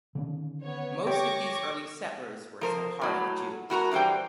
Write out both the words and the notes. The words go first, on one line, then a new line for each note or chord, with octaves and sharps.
Most of these early settlers were Sephardic Jews.
D3 D#3 C#4
B3 C#5
G4 C#5 G5 C#6 D6 A#6
F3 A#4 C5
A2 F#3
A2 F#4 A#4 A#5
G2 E3 G3 C5 G5